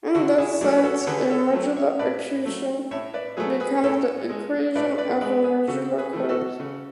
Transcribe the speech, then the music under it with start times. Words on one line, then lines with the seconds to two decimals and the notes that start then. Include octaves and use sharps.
In that sense a modular equation becomes the equation of a modular curve.
0.14 D3 F#4 A4
0.38 E4 G#4
0.61 F#3 A3 D4 F#4
0.78 B4
0.84 F#4 A4
1.01 C#5
1.07 D3 G#4 B4
1.30 A4 C#5
1.53 F#3 A3
1.76 C#5 E5
1.99 A2 B4 D5
2.45 F#3 A3
2.91 A2 C#5 E5
3.14 B4 D5
3.37 F#3 A3 G#4 B4
3.60 G#4 B4
3.83 A2 A4 C#5
4.29 G#3
4.75 A2 B4 D5
4.98 B4 D5
5.21 G#3 B4 D5
5.44 G#4 B4
5.68 C#3 F#4 A4
5.98 G#4 B4
6.13 E3 A3
6.29 F#4 A4
6.60 C#3